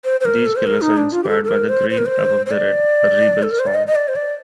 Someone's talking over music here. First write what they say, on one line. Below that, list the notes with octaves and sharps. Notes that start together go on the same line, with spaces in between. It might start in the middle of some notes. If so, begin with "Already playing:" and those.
These colours are inspired by "The Green Above The Red", a rebel song.
C5
C5
A#4
A4
C5
A#4
D#4
D4
F4
G4
A4
A4
A#4
C5
C5
A#4
C5
C5
D5
A4
A#4
C5
D5
D#5
D#5
D5
C5
D5